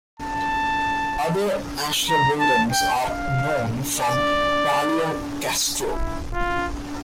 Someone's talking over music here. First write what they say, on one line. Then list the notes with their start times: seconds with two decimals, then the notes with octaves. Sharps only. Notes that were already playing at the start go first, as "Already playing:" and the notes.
Other ashlar-buildings are known from Palaeokastro.
0.19 A5
2.09 A#5
2.40 A5
2.71 G5
3.03 F5
3.97 D5
5.86 E4
6.34 F4